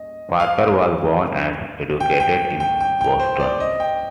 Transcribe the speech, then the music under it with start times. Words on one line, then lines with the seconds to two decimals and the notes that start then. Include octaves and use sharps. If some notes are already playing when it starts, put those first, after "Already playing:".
Parker was born and educated in Boston.
Already playing: D#5
0.40 F5
2.00 G5
2.20 G5
2.60 G5
2.80 G5
3.01 G5
3.20 C5
3.40 D5
3.60 D#5
3.80 G5